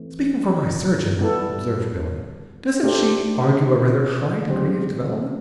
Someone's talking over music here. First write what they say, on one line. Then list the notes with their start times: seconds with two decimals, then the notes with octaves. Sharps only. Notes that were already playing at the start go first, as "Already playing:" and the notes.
"Speaking for my surgeon," observed Billie, "doesn't she argue a rather high degree of development?"
Already playing: E3 A3 C4
1.19 G3 B3 E4 A4
2.83 A3 D4 G4 C5
4.47 D3 F#3 C4 G4 C5